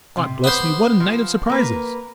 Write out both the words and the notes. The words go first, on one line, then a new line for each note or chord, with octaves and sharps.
God bless me, what a night of surprises!
C3
B3 C5
F3
A#3 B4